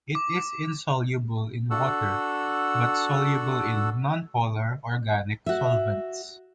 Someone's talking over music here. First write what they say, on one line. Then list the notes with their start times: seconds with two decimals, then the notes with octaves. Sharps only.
It is insoluble in water, but soluble in nonpolar organic solvents.
0.15 D6
1.71 D4 F#4 A4 F#5 E6
5.46 F#4 E5